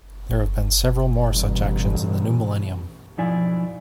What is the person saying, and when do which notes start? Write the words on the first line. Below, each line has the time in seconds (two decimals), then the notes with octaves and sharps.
There have been several more such actions in the new millennium.
1.26 A1 G2 B2
3.18 B1 G#2 F3 E4 D5 G#5